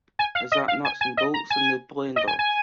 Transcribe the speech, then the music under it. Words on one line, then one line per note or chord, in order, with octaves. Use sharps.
Is that nuts and bolts in the blender?
G#5
F5
D#5
F5
G#5
G#5
D#5
A#5
G#5
D#5
G#5
G#5